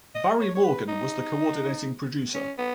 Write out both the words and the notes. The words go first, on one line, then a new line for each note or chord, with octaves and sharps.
Barry Morgan was the co-ordinating producer.
D#5
C#5
C#5
B4
D#4
C#4
B3